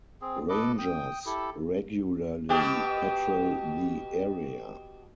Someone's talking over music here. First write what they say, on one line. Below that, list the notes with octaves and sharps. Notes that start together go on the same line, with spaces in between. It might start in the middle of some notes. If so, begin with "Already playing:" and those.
Rangers regularly patrol the area.
C4 G#4
A4 B4 D#5 D6
G5 D#6
E4 G4 A4
B2 G4